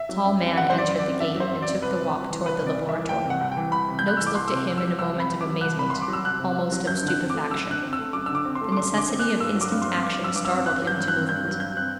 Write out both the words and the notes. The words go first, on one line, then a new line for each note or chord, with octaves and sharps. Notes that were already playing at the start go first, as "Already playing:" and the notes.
A tall man entered the gate and took the walk toward the laboratory. Noakes looked at him in a moment of amazement, almost of stupefaction. The necessity of instant action startled him to movement.
Already playing: E5
F#3
F#2
C4
F#2 F#5
F#3 C5
D5
F#2
D5
C4
F#2 E5
F#3 C5
F#2
C4 D5
C2 B4
C3
C2
E3
C2 B4
C3
D5
C2
E3 E5
C2 G5
C3 F#5
C2
G5
E3
C2 B5
C3
G6
C2 F#6
E3 E6
D6
C2 C6
E6
C3 D6
C2
E6
F#3
C2 E6
C3
B5
C2
F#3 D6
C2 F#6
C3 B5
C2 C6
D6
F#3 E6
C2 F#6
C3
C2
F#3
F#2 G6
D3
F#6
C4
A3 D6
F#2 E6
D3 F#6
C4
E6
A3
F#2 D6
D3 E6
D6
C4
C6
A3
D6
F#2 C6
D3
D6
C4
A3 F#6
G2 E6
F#3
D6
G2
C6
C4
G2 D6
F#3
E6
G2 D6
E6
C4
G2 F#6
F#3
G6
G2
F#6
C4
G2 G6
F#3
G2 G6
C4 F#6